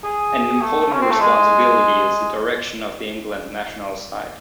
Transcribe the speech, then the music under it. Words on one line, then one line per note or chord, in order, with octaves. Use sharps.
An important responsibility is the direction of the England national side.
G#4
A3
C#4
C4
A3
G#3